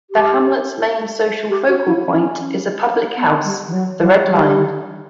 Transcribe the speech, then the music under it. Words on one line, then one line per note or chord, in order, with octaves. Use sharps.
The hamlet's main social focal point is a public house, "The Red Lion".
G4
G4
F#4
E4
C#4
B3
G3
E3
F#3
F#3
G3